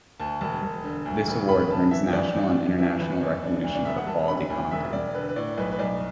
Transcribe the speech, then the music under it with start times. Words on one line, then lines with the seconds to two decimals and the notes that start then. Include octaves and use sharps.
This award brings national and international recognition for quality content.
0.20 D2 A5
0.41 E1 A5
0.63 E1
0.84 D3
1.06 D2
1.27 E1
1.49 E1 B5
1.70 D3 A5
1.91 E3 E5
2.13 E2 D5
2.34 E2
2.56 D4
2.78 E3 E5
2.99 E2 B4
3.21 E2
3.43 D4
3.64 D2
3.75 D5
3.85 E1 E5
3.97 F#5
4.06 E1 A5
4.28 D3 B5
4.50 D2
4.71 E1 E5
4.93 E1 D5
5.15 D3 B4
5.29 B4
5.36 A2 D5
5.58 B1 B4
5.71 B4
5.79 B1 D5